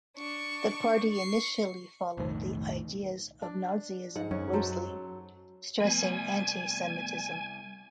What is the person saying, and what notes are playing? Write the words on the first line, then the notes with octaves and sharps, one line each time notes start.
The party initially followed the ideas of Nazism closely, stressing anti-Semitism.
D4 C#6
C#6 C7
B1 F2 A2 D#3
D4
G#2 F#5
F#2 C#4
F#3 A4 C5
C2 F3 A3 B3 G#5 B5